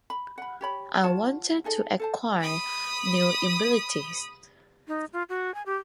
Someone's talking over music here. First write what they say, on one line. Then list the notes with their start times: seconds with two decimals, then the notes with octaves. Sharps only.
I wanted to acquire new abilities.
0.10 B5
0.38 F#5 B5
0.61 G4 C#5 B5
1.04 F4 C#5 F#5 A5
1.64 D#4 G#4 A4 D#5
1.99 A4 C5 A5
2.41 B5 D#6
4.88 D#4
5.13 F4
5.29 F#4
5.54 G#5
5.66 G4